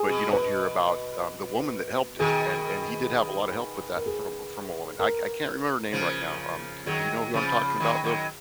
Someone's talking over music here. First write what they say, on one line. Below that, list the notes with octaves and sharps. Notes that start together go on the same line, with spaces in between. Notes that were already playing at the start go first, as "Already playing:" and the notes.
but you don't hear about, um, the woman that helped him, and and he did have a lotta help with that from a from a woman. I c I can't remember her name right now, um, do y do you know who I'm talking about, though?
Already playing: G#4
B2
B4
B2 D#3 G#4
A#4
G#4
A#4
C#3 F3
D#3 F#3 G#4
C#3 F3
D#3 F#3
D#3 F#3